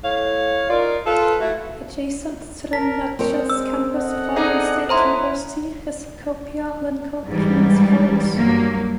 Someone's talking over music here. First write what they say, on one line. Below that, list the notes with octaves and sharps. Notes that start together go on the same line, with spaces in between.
Adjacent to the Natchez campus of Alcorn State University is Copiah-Lincoln Community College.
A2 C#5 F5
D#4 F4 A#4 D5
F4 A4 B4
A3 E4 F#4
A#4 A5 B6
G#3 C4 A#4 C#5
E6
A4 D#5 F#5
D4 D#4 G#4
C#4 E4 C5 A#5 C6
G#2 E3 G3
G2 F#3 A#3